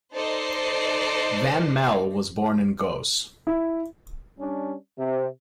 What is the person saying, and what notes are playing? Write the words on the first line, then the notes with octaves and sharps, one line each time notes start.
Van Melle was born in Goes.
D#4 A4 C5 D5 D#5 C7
E4
G3 C#4 D4
C3